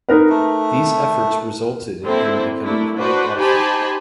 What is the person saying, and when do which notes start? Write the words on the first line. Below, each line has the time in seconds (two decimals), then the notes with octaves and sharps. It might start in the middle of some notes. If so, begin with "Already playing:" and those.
These efforts resulted in him becoming quite wealthy.
0.09 D#4 A#4 B4
0.29 A3
2.04 D3 A#3 C4 E4
2.63 A3 A#3 D4 E4
2.96 D4 F#4 B4 C5 D5
3.37 D#4 G4 C5 G#5 A5 B5